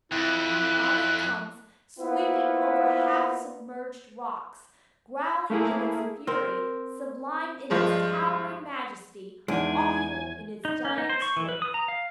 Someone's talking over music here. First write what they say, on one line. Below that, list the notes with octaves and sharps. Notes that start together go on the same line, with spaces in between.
On it comes, sweeping over half-submerged rocks, growling in its fury, sublime in its towering majesty, awful in its giant's strength.
F2 E4 F#6
A#3 B3 E4 F4 B4 C5
A3 A#3 E4 G#4
C4 A#4
G2 F3 G#3
E2 G#3 D4 D#4 G#5
D#4
C#4
D#4
C5
C#6
E3
B4
D#6
A#5
F5